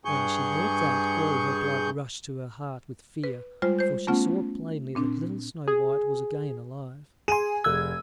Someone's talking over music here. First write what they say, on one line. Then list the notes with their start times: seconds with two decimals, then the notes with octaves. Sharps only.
When she heard that, all her blood rushed to her heart with fear, for she saw plainly that little Snow-white was again alive.
0.05 G2 G#4 C#6 G6
3.24 B4
3.62 G3 G#3 F4 C5
3.79 C5 G6
4.07 A3 B3 C#4 F4 F#5
4.95 A#2 C4 D4
5.68 G#4
7.28 G#4 G#5 C6 D#7
7.64 F1 E6 F#6 G#6